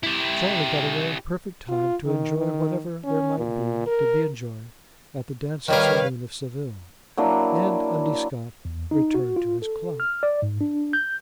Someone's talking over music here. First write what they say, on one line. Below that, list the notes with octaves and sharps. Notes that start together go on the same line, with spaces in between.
Charley got away in perfect time to enjoy whatever there might be to be enjoyed at the dancing saloon of Seville, and Undy Scott returned to his club.
E4 G4
F4
D#3
D#3
C#4
A#2
A#4
D#3 G3 A#4 B4 C#5 F5
F#3 A#3 D4 E4
E2
D#4
F#4
F4
A4
F6
D5
G#2
D4
G6